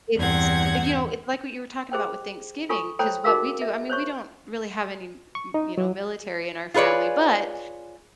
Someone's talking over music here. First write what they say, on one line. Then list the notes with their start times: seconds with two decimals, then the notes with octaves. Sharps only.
it's, you know it's like what you were talking about with Thanksgiving 'cause what we do I mean, we don't really have any, m m you know, military in our family, but
0.16 E2 G2 C4 F#5 G#6
1.92 G4 G#4 C5 G5
2.69 F4 A4 G#5 C#6
2.99 A4 C5 C#5 G5 A#5 B5
3.24 D#4 F#4 G#4 A#4 F5 E6
3.61 E5
3.89 C5 C#5 C#6
5.35 C#6
5.54 D#4
5.78 F#3
6.74 F4 G#4 B4 C#5 D5